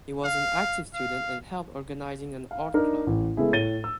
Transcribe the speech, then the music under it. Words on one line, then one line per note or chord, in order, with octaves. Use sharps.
He was an active student and helped organizing an art club.
F5
F5
F5
D4 D#4 A#4
A1
C#3 G#3 A3 B3 E4 G#4
A2 C#5 A6 D#7 G7
E6